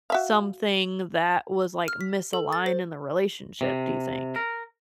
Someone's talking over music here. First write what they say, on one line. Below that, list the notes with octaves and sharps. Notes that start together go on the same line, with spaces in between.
something that was, like, misaligned in the relationship do you think?
F#4 E5 F5
F6
B6
A4
A6
C5
C3
A#4